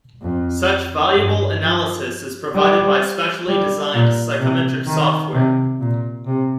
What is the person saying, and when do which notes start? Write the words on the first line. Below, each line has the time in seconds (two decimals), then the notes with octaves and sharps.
Such valuable analysis is provided by specially-designed psychometric software.
0.22 F2
1.15 G2
1.61 F3
2.54 G3
3.47 G3
3.94 A#2
4.40 C3
4.86 D#3
5.34 C3
5.79 A#2
6.26 C3